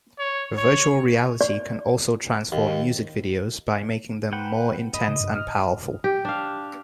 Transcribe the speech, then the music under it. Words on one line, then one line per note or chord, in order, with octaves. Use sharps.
Virtual reality can also transform music videos by making them more intense and powerful.
C#5
C#5
D5
D#2
B4 F#5 G5
D#5 B5
C#3
G2
F6
G4
D4 F5